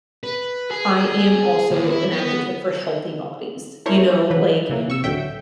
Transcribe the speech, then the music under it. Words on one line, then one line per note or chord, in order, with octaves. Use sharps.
I am also an advocate for healthy bodies, you know? Like,
B4
G#4
D#2
E4
B3
D4 E4 A#4 C5 C#5
E3 F#3 B4
C#3 E3 A#3
C3 C#6 E6
A1 D2 F#3 E5 G5